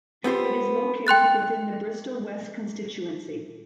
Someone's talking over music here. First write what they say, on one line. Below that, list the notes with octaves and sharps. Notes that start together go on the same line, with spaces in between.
It is located within the Bristol West constituency.
B3 C4 F4 G4 C5
G5 C6 F#6 A6